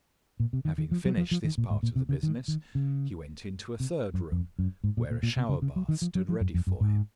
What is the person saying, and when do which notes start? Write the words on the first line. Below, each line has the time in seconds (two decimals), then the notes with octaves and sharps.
Having finished this part of the business, he went into a third room, where a shower bath stood ready for him.
0.40 A#2
0.53 C3
0.65 D#3
0.78 D#3
0.91 F3
1.05 F#3
1.17 F3
1.31 F3
1.44 D#3
1.58 A#2
1.70 G#2
1.83 A#2
1.96 C3
2.09 C#3
2.23 D#3
2.48 D#3
2.75 C#3
3.80 C3
4.14 F#2
4.32 F2
4.59 F#2
4.84 G#2
4.97 A#2
5.11 A#2
5.23 A#2
5.37 C3
5.49 C#3
5.62 C#3
5.76 F#3
5.89 D#3
6.02 F3
6.15 F#3
6.29 F3
6.41 F#2
6.54 F2
6.67 F#2
6.81 G#2